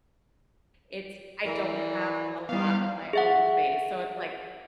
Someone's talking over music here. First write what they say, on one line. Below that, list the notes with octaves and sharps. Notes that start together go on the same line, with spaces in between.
it's I don't have a lot of my own space, so it's, like,
E3 A#4 D5 E5 A#5
G3 B3 E4 F5
G#4 E5 F#5